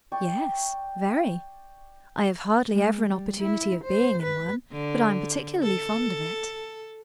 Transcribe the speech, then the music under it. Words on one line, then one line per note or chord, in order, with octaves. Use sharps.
"Yes, very; I have hardly ever an opportunity of being in one; but I am particularly fond of it."
D5 G5 C#6
G#3
G3
E4
C5
B4
D3
A4